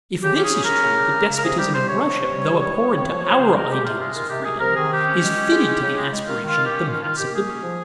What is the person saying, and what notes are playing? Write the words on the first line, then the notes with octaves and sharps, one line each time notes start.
If this is true, the despotism in Russia, though abhorrent to our ideals of freedom, is fitted to the aspirations of the mass of the people.
C#3 G4
C#4 G4
G#4
C#3
A#4
C#4
C#3
G3
C#3
C#3
A#4
C3 G#4
G3 G4
C3 C5
C3 C#5
C3
C3
G3
G3
G#3
F3
C4
F3
F3 C#5
C#3 C5
G#3 A#4
G#3 G4
C3 F4
G#3 F4
D#3 F4
C3 G4
C3 G#4
C3 A#4
D#3 G#4
C3 G4
C#4
G#3
C#4
G#3
C#4
C#3
G#3
G#3
D#3 F4
D#3
F4
D#3
G4
C#4
D#3 F4
D#3 F4
D#3 G4
A#3 G#4
C#4
F3